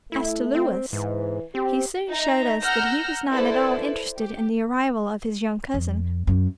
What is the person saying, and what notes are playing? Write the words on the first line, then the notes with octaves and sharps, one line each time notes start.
As to Louis, he soon showed us that he was not at all interested in the arrival of his young cousin.
A3 E4
C4
G#2 E3
C4 G4
D#4 E5 A#5
F#5 A#5 E6 F6 G6 A#6
E4 A4 B4 C5 D5
G4
F2
F#2